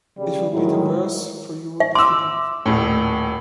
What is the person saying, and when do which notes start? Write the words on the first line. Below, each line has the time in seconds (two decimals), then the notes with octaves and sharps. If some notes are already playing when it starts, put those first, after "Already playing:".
It will be the worse for you if you do.
0.18 C#3 G3
0.53 A2 D#3 F#3 G#3 E4
1.80 E5
1.95 C6 D6 E6
2.66 D#1 A2